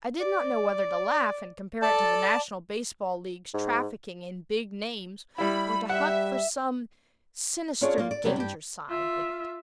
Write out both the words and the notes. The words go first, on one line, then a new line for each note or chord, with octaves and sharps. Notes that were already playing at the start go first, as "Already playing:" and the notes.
I did not know whether to laugh and compare it to the National Baseball League's trafficking in "big names," or to hunt for some sinister danger sign in it.
D5
A4 D5 A5
G#2
G3 E4 B5
G3 E5 F#5
C#4 D4 F4 G#4 C#5 D5
A#3 F4
D5
E2 C3 F#3 G3
G2 G4
F4 E5